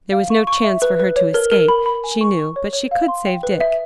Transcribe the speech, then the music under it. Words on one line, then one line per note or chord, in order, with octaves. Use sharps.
There was no chance for her to escape, she knew, but she could save Dick.
F5
C#6
C#6
E5
B4
B4
C#5
A#4
A#4
B5
B5
G#5
C#6
C#6
C#5
C#5
F5
C6
G5
B4
E5